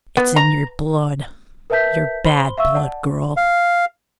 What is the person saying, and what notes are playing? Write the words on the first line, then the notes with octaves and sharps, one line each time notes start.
"It's in your blood ... your bad blood, girl."
B3
A#5
A#4 B4 E5 A5 G6 B6
C5 B5 C6 G7
E5 F5 C#6 E6
D5 F#5 A5
F5